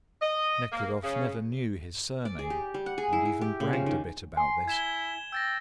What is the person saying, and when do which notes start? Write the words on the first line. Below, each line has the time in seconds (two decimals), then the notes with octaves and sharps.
Nekhludoff never knew his surname, and even bragged a bit about this.
0.21 D#5
0.72 A#3
1.03 C#3
2.25 D5
2.39 G#4
2.50 G4
2.74 G3
2.86 F#5
2.98 G#4
3.13 E4
3.25 E4
3.41 G4
3.60 C#3
3.73 F3
3.86 D#3
4.37 G#5 C6
4.68 E4 G#6 E7 G7
5.32 G5 E6 A6 A#6